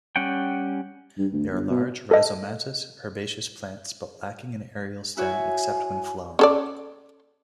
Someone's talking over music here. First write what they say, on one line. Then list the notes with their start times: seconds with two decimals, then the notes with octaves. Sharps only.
They are large rhizomatous herbaceous plants but lacking an aerial stem, except when flowering.
0.16 G3 C#4 F#5 G5
1.18 G2
1.33 D2
1.51 G1
1.70 B2
2.11 A4 D#5
5.17 E4 F#4 C#5 G#5
6.39 C#4 A4 D5